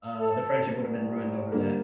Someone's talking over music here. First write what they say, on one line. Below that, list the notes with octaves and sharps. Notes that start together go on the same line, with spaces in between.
uh, the friendship would have been ruined over that.
A4
C2 A#3
D3 G3 A#3